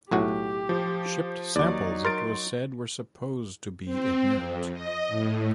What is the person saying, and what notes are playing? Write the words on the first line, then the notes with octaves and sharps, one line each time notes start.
Shipped samples, it was said, were supposed to be inert.
B1 A2 F#4 G4
F3 C5
D#2 F#3 D#4 D5 D6
A#4 C6 A6 D7
C4
F2
D#5
A2